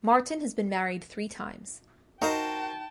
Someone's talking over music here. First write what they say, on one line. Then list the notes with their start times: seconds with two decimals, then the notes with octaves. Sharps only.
Marton has been married three times.
2.22 D#4 F#4 A#4 C5 F5 G5 A5